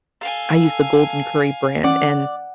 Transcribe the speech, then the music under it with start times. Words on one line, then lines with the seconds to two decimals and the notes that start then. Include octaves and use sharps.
I use the Golden Curry brand, and
0.21 A4 F5 G#5
1.84 E3 C#4 D5 F#5